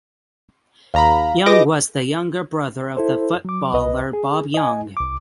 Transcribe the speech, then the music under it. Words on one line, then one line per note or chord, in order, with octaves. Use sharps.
Young was the younger brother of footballer Bob Young.
D#2 F5 A#5 B5
F4 G#4 B4 D#5 D6 A#6
E4 A4 C5
F#3 D6
C2 B4 D#5
G#4
D#5 G#5
C2 D6